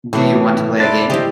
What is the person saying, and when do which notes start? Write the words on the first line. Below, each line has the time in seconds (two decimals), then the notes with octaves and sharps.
Do you want to play a game.
0.13 A2 E3
0.80 D4 E4 C6 D6 A6
1.10 E4 G4 C5 D#5